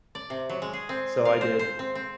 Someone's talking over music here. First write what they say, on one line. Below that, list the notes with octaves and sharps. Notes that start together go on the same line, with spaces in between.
So I did.
D5
C3
F#3
G#3
G#4
C4
F5
C5
C5
C4
C4